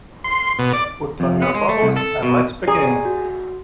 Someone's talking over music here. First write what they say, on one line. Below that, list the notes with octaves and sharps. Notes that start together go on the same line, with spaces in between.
Put on your goggles and let's begin.
C6
B2
D5
F2
B3
G#3
A3
C2
A4
B2
G4 G#4 D5 A#5
F#4